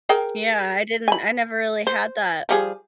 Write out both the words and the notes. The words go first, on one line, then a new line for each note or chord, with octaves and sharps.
yeah, I didn't I never really had that.
G#4 A#4 G5
G#5 B5
C5
F3 G3 G#4